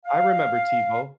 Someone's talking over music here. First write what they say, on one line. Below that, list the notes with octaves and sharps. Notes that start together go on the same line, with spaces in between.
I remember TiVo.
F5